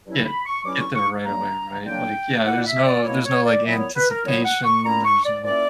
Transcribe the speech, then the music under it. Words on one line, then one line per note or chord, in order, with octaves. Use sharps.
get get there right away, right? Like, yeah, there's no there's no, like, anticipation, there's no
G2 F#3 C#4 E4
B5
C#6
G2 F#3 C#4 E4 D6
C#6
C#6
D3 F#3 A#3 D4 A#5
D3 F#3 A#3 D4 G5
B2 A#3 E4 F#5
D5
E5
D5
B2 A#3 E4 C#5
C#5
D5
A#2 F#3 B3 E4 E5
C#5
B4
A#4
A#2 F#3 B3 E4 C#5
F#5
C#6
A#2 A#3 C#4 E4 A#5
C#6
D5
A#2 A#3 C#4 E4 D5